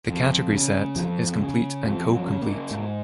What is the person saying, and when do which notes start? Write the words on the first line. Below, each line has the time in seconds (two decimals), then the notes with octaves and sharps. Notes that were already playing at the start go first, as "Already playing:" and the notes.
The category Set is complete and co-complete.
0.08 F2
0.53 C#3
0.96 F2 F3
1.39 C#3
1.84 F2 F3
2.13 F#3
2.27 C#3
2.42 A#3
2.71 G#2